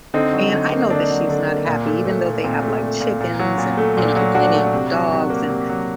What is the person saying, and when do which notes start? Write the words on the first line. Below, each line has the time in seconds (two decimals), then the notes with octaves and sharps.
and I know that she's not happy even though they have, like, chickens, and, you know, plenty of dogs, and
0.14 D3 C4 D#4
0.33 F#3
0.53 D3
0.72 A#3
0.90 D3 D4
1.10 F#3
1.29 D3
1.48 A#3
1.67 A#2
1.86 A3
2.05 A3
2.25 A#2
2.44 A#2 C4
2.63 A3
2.83 A3
3.00 A#2
3.20 A#2
3.39 F#3
3.58 A#2
3.77 A3
3.97 A#2 D4
4.16 F#3
4.35 A#2 D4 F#4
4.54 A3
4.73 C3
4.92 F#3
5.12 C3
5.30 A#3
5.50 C3
5.69 F#3